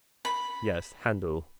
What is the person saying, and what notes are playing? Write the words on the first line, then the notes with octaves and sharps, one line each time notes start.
Yes. Handel.
B5